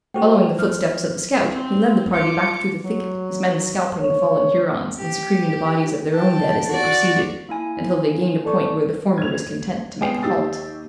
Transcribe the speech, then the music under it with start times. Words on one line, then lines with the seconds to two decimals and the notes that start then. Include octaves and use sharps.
Following the footsteps of the scout, he led the party back through the thicket, his men scalping the fallen Hurons and secreting the bodies of their own dead as they proceeded, until they gained a point where the former was content to make a halt.
0.14 A3 F#4 G#4 C5 G5
0.59 F3 F6
1.52 C4
2.13 F4 D6 C#7
2.83 F#3
4.00 C#5
4.98 G4
6.14 G5 A5
6.68 F#4 D5
7.49 A#3 E4 G#5
8.45 A4 D5 C#6
9.18 G#6 F7
10.01 G#3 B3 G5 G#5 D#6 C7
10.23 D#2 D#4 G4 E6 A6